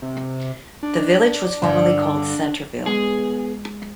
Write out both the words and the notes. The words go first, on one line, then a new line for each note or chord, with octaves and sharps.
The village was formerly called Centreville.
C3
D4
G2 D3
G#3 B3 G#4